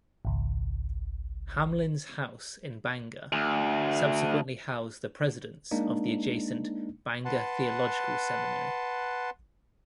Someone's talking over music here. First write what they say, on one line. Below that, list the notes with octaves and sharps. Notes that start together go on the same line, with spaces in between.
Hamlin's house in Bangor subsequently housed the Presidents of the adjacent Bangor Theological Seminary.
G#1 C#2
D2
G#3 A#3 D4 D#4
B4 F#5 A5 C6